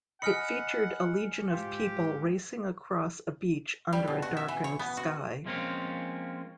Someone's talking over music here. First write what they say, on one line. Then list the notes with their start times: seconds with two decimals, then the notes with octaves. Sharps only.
It featured a legion of people racing across a beach under a darkened sky.
0.22 D#5 F#5 G#5 B5 F6 C#7
1.52 G#2 F4 G4
3.93 G3
4.08 B2
4.22 F#4
4.37 E5
4.48 E3
4.64 C#5
4.79 B3
4.97 F#4
5.46 F3 G#3 A#3 C4 C#4 F4